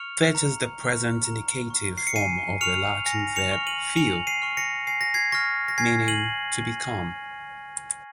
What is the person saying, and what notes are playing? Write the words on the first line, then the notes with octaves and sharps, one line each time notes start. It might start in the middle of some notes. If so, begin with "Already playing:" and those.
'Fit' is the present indicative form of the Latin verb fio meaning 'to become'.
Already playing: C#6 F6 C#7 F7
A#5
C#6 F6
A#5
C#6 F6
C7
C#7
G#5 C7 D#7
C#6 F6 C#7 F7
G#5 A#6 C#7
C#7 F7
C#6 F6
D#7 F#7
G#5 C#7 F7
C7 D#7
C#6 F6
A#6 C#7
G#5 C7
A#6
G#6 C7
C#6 F6 A#6
A#6
G#5 G#6 C7
D#7 F#7